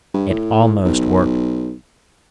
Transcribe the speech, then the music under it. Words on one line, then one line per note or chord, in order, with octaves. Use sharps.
It almost worked.
G2
A2
B1